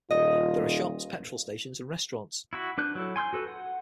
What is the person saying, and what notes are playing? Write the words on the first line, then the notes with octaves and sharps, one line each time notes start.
There are shops, petrol stations and restaurants.
D#1 F4 D#5
E4 F#4 B5
D4 B4 F#6 G6
F#3 E4 A4
G#5 C6 E6 G6
F#4 A4 B4
F#5